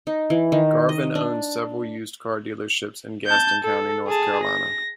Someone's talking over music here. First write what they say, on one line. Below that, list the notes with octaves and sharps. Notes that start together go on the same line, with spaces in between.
Garvin owns several used car dealerships in Gaston County, North Carolina.
D#4
E3
D#3
D#5
D4
A5 G6
A4
G#4 A5
A#6